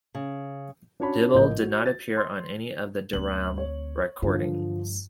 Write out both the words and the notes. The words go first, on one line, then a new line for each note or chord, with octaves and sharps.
Dyble did not appear on any of the Deram recordings.
C#3
C#4 D4 F#4 C#5 A5 B5
A1 F3 A#3 D#5 G6
F#4
A6
C6
D2 C4 F#7
C#5
G2 D3 F3